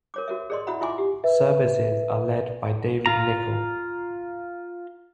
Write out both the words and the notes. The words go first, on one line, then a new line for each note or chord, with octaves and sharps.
Services are led by David Nicoll.
A#4 C#5 D6
F#4 A#4 E5
G#4 A#4 D5 D#5 C6
E4 F#4 E5 F#5 B5
E4 F4 E5 G#5 C6 D6
G4
B4 E5
F4 A#5